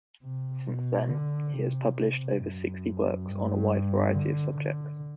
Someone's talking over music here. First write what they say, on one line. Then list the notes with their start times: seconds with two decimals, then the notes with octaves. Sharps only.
Since then, he has published over sixty works on a wide variety of subjects.
0.23 C3
0.67 B2
1.09 D3
1.54 C3
1.97 C3
2.41 F#2
3.28 G2
4.14 D3
4.57 D3